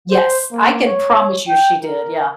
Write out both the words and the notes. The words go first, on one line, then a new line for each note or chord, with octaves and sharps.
Yes, I can promise you she did, yeah.
C5
A#3
C#5
G5
A#4